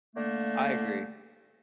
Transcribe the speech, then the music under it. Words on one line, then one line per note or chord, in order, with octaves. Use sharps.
I agree.
D3 A3 A#3